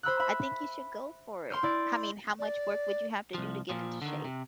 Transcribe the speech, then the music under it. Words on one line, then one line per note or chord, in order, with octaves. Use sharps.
I think you should go for it. I mean, how much work would you have to do to get into shape?
C5 B5 E6 F#6
E5 B5
C6 F6 G6
E4 D5
D5
C2 F3
A#2 F3
D3 D#3
C3